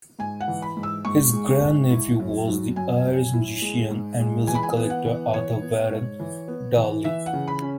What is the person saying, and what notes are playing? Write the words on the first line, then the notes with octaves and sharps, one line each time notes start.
His grandnephew was the Irish musician and music collector Arthur Warren Darley.
G#2 G#5
F#5
E3
B5
G#2
E6
G#2 C#6
G#3
G#2
E4
F#2
F#3
F#2 G#5
F#2
E4
G#3
G#2
G#3
E3 G#5
B5
G#5
B3
F#5
E3
E3 C#5
B3
G#2
E3
B3
E3
E3 E5
F#5
C#3
B5
C#4